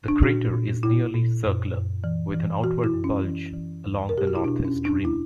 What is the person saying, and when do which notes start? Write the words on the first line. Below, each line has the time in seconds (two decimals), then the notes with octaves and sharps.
The crater is nearly circular, with an outward bulge along the northeast rim.
0.08 D4
0.23 A#2 F#4
0.53 A#2
0.83 A#2 E4
1.14 A#2
1.44 F#2
1.74 F#2
2.04 E3
2.34 E3
2.64 E3 F#4
2.84 E4
2.94 F#2
3.04 C#4
3.24 E3
3.54 E3
3.84 E2
4.09 A#4
4.14 B2 G4
4.27 F#4
4.35 E4
4.44 B2 D4
4.65 C#4
4.75 E2
4.85 D4
5.05 E4